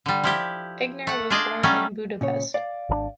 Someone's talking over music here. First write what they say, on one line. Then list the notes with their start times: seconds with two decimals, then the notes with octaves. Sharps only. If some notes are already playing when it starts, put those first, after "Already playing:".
Eigner was born in Budapest.
0.06 D3 G3
0.24 F3 E4 G4
1.07 A3 F#5
1.30 D4 F4 G#4 D5 D#5
1.63 F#3 G3 A3 C#4
2.21 A#2 C#3 C#5
2.54 D5 F5
2.89 G#1 D3 D4